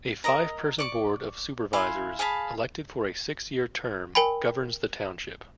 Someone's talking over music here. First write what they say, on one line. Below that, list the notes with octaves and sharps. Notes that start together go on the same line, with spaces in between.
A five-person board of supervisors, elected for a six-year term, governs the township.
A#4 D#5 A#5
D5 C#6 D6
E4 F5 G#5 C6
G#4 F5 A5 B5
A#4 G5 G#5 B5